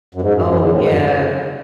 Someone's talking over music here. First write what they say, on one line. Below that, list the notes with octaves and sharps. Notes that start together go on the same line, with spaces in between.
Oh, yeah.
F#2
G#2
F#2
F#2
E2
A2
G#2
F#2